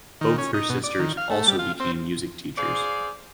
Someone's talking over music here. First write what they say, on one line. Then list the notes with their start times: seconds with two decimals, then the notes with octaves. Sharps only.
Both her sisters also became music teachers.
0.21 D#3
0.38 C#4
0.54 D#4
0.70 B2
0.84 D5
0.99 D#3
1.17 F5
1.30 A3
1.47 G3
1.59 F4
1.80 C4
2.58 G#4 C5 D5 F5